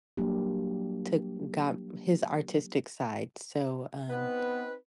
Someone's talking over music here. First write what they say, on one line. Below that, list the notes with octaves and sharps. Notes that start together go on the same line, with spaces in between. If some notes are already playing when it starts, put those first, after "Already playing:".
took got his artistic side, so, um,
F#3 G3 A#3 D4 G4
B3 C4 D#4 B4